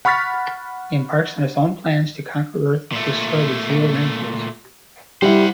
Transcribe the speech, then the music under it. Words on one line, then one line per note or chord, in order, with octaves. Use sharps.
He embarks on his own plans to conquer Earth and destroy the Zeo Rangers.
F#5 B5 C#6 F6 A6 B6
A#2 A3
G3 E4 C5 F#5